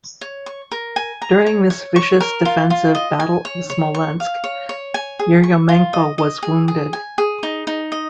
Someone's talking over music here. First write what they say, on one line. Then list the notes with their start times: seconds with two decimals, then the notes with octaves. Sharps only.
During this vicious defensive Battle of Smolensk, Yeryomenko was wounded.
0.21 C#5
0.46 C#6
0.71 A#4
0.96 G#5
1.22 A#5
1.46 C#5
1.70 C#5
1.96 C#6
2.20 A#4
2.45 F4
2.70 F4
2.95 D#5
3.20 G#5
3.45 C#5
3.70 C#5
3.94 C#6
4.20 F5
4.44 C#5
4.69 C#5
4.94 G#5
5.19 G#4
5.43 C#6
5.69 F4
5.93 D#5
6.18 D#5
6.43 G#4
6.68 G#4
6.93 G#5
7.18 G#4
7.43 D#4
7.67 D#4
7.92 D#5